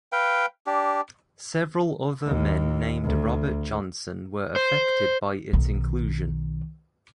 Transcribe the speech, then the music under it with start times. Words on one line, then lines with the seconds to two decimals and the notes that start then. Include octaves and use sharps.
Several other men named Robert Johnson were affected by its inclusion.
0.12 B4 F5 G5
0.67 D4 G4
2.26 D#2
3.03 D2
4.56 C5
5.53 B1 D#3